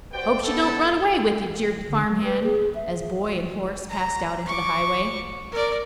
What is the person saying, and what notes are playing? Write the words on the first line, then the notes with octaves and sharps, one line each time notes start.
"Hope she don't run away with ye," jeered the farm-hand, as boy and horse passed out into the highway.
F#4 G4 B4 C5 D5 G5
B3 A4
D3
F#3
B4
G#4
E5
A#5
C#6 D6
A#4 D5